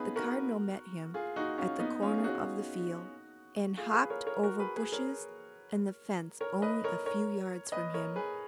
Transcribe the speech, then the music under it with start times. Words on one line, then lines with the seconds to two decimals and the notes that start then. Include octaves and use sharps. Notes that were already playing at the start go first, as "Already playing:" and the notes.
The Cardinal met him at the corner of the field, and hopped over bushes and the fence only a few yards from him.
Already playing: B3 C#4 D#4 F4 G#4 B4
0.16 F#4 A#4
1.14 F4 G#4
1.36 D#4 F#4
1.58 C#4 F4
1.80 B3 D#4
2.02 C#4 F4
2.18 G#4
2.24 D#4 F#4
3.77 F4 G#4
3.93 G#4 B4
4.10 A#4 C#5
4.27 A#4 C#5
4.43 F#4 A#4
4.60 G#4 B4
4.76 G#4 B4
4.92 A#4 C#5
6.40 A#4 C#5
6.62 B4 D#5
6.84 A#4 C#5
7.06 A#4 C#5
7.72 B4 D#5
7.94 A#4 C#5
8.16 G#4 B4